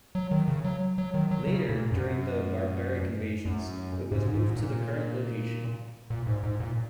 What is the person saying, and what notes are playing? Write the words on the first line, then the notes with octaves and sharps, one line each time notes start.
Later, during the barbaric invasions, it was moved to the current location.
F#3
D#3
C#3
F#3
F#3
D#3
F#3
C#3
A#2
F#2
F#2
G#2
G#2
A#2
A#2
G#2
G#2
A#2